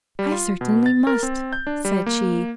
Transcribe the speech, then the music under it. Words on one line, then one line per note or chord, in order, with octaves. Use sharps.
"I certainly must," said she.
G3
F4
B2
A6
A#4
C4
G6
D4
G3
A#3